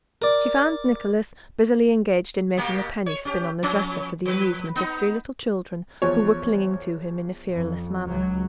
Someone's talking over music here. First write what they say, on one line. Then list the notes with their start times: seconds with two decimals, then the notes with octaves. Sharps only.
She found Nicholas busily engaged in making a penny spin on the dresser, for the amusement of three little children, who were clinging to him in a fearless manner.
0.22 A#4 D5
2.57 B2 A#3 G4
3.06 C#5
3.25 C#4 G4
3.63 F3 B3 C#4
4.25 F3 B4
4.76 B3 D#4
6.02 E2 F3 C#5
7.50 F2
8.08 C#2 F#3